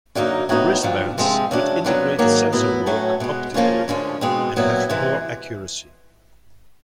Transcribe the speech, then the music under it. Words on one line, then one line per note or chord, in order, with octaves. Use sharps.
Wrist bands with integrated sensor work optically, and have poor accuracy.
F#2 D3 F#3 A#3 D#4
A2 F#3 B3 D#4 F#4
G2 D3 F3
C3 F3 G#3 C4
C#3 F#3 A3 D4
F2 D3 F#3 B3
G#2 D#3 F#3 A#3 D#4
A2 F#3 B3 E4
A2 F#3 A3 C#4 F#4
B2 G#3 B3
C#3 F3 A#3 C#4 F4
D2 D3 F3 G#3 C#4
B2 G#3 C4
A#2 F#3 B3 E4
C3 E3 G#3